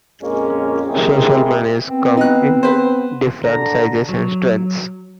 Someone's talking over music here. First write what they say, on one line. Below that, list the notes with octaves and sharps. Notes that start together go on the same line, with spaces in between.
Social manias come in different sizes and strengths.
A#1 F2 G#3 A#3 C#4
G#3 A#3 C4 E4 G4 G#4
B3 C4
D#4 F#6
B4 C5
D3 A#5
F#3